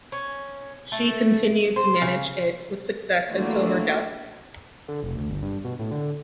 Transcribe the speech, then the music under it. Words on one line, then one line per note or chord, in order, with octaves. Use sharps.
She continued to manage it with success until her death.
C#4
A3
C5
C#3
E3 A3 A#3 D4 F4 F#4
D3
F1
D2
G1
G2
B2
A2
D3